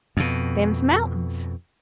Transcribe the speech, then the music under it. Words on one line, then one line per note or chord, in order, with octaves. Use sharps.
"Them's mountains."
F2 B2